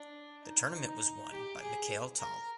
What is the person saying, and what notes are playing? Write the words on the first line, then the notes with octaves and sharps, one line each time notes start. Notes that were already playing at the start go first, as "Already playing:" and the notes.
The tournament was won by Mikhail Tal.
Already playing: D4
D#4
D#4
G4
G#4
A#4